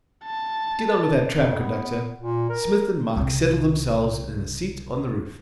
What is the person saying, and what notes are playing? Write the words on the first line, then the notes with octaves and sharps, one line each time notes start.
Get on with that tram, conductor.' Psmith and Mike settled themselves in a seat on the roof.
A5
F2
B3
A#2
A#4
C2 C#3